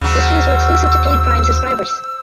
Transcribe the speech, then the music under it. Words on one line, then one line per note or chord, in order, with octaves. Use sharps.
The streams were exclusive to paid Prime subscribers.
D#2 C#3 F#3 C5 E6